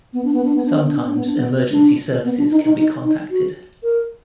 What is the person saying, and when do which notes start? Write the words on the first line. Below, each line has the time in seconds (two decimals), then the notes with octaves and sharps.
Sometimes emergency services can be contacted.
0.13 B3
0.25 D4
0.34 B3
0.45 D4
0.56 B3
0.66 D4
0.75 B3
0.86 D4
0.96 B3
1.07 D4
1.16 B3
1.27 D4
1.37 B3
1.72 D4
2.25 B3
2.38 D4
2.51 D#4
2.64 D#4
2.77 D#4
3.04 D#4
3.30 F#4
3.83 A#4